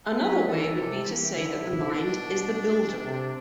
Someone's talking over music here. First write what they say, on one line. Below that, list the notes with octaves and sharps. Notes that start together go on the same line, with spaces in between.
Another way would be to say that the mind is the builder.
F#3 B4
E3 A4
C3 A4
E3 G4
D3 E4
C3
B2 D4
C3